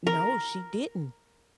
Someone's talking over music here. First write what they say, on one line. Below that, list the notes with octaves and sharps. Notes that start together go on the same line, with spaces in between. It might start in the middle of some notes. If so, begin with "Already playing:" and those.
No, she didn't.
A#4